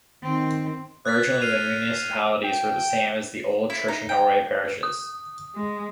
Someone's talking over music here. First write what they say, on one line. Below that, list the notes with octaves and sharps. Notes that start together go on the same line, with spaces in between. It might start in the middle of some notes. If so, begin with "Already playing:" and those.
Originally the municipalities were the same as the old Church of Norway parishes.
D#3 C4
F#6 G#6 A6 B6
F6 F#6 C7 D#7 F7
D#7
G5
E4
D#4
G5
D#6
G#3